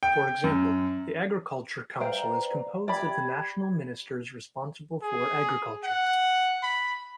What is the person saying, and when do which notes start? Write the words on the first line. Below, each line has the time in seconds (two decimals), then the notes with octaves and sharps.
For example, the Agriculture Council is composed of the national ministers responsible for Agriculture.
0.03 G5
0.44 F#2
2.00 B4 C5 D5 F5 G5 A#5
2.88 G4 D5 G5 B5 G#6
5.02 G#4
5.84 F#5
6.63 B5